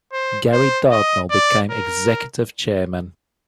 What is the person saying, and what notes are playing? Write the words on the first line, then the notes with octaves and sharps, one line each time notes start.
Gary Dartnall became executive chairman.
C5
C5
D#5
D5
A#4